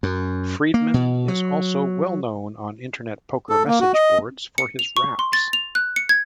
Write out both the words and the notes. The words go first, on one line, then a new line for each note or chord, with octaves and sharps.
Friedman is also well known on internet poker message boards for his raps.
F#2
A#3
B2
F#3
A4
A#3
F#4
D#5
C#7
F7
C#6
C6
A6
F7
F#6
C#7
G#6